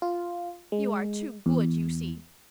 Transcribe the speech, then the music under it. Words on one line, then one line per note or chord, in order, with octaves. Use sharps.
You are too good, you see!
F4
G#3
E2